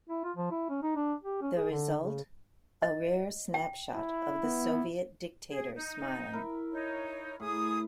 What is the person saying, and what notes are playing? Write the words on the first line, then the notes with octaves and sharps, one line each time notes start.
The result: a rare snapshot of the Soviet dictator smiling.
E4
F4
F3
E4
C#4
D#4
D4
G4
C#4
G#4
D3
C#3
D#5
G5
E4
B3
G#4
D#4
E4 A#4
D#4 C#5
A2 G#4 D#6